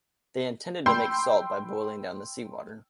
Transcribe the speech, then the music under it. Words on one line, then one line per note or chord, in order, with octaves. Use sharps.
They intended to make salt by boiling down the sea water.
G5 B5 C6 E6 G6 C7